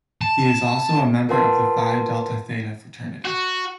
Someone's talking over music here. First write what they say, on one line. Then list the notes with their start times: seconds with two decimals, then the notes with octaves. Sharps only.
He is also a member of the Phi Delta Theta Fraternity.
0.21 A5
1.29 F4 A#4 B4 F#5 A5 C6
3.25 F#4